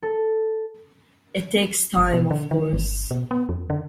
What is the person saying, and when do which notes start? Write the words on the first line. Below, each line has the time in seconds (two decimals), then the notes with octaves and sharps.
It takes time of course.
0.02 A4
1.97 G1
2.13 B2
2.31 D3
2.51 D#3
2.73 G1
3.11 B2
3.31 B3
3.49 F2
3.70 D3